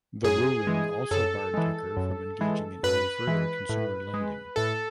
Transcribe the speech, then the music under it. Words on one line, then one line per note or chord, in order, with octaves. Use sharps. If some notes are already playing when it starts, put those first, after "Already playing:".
The ruling also barred Tucker from engaging in any further consumer lending.
F#2 G#4
E3 G#3
F#2 A4
E3 G#3
F#2
E3 G#3
F#2 B4
E3 G#3
A2
G#3
A2 A4